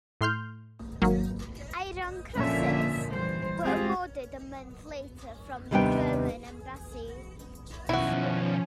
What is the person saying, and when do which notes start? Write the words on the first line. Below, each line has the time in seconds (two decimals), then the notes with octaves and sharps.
Iron Crosses were awarded a month later from the German embassy.
0.21 A2 C6 F6 G6
1.02 G#1 F#3 A#3
2.36 A#2 D3 F3 A#3 C#4 E5
3.13 E3 G3 C5
3.63 G#3 C4 F4 G4 G#4
5.71 D#2 C3 G3 B3 D4 G5
7.89 B2 D#3 F3 C#4 E4 F#4